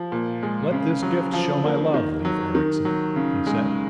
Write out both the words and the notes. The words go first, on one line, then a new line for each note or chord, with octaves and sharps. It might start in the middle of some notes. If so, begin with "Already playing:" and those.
"Let this gift show my love, Leif Ericsson," he said.
Already playing: F3
A#2
G#3
C#3
F#3
F3
A#3
D#3
F#3
D#3
F#3
C#3
G#3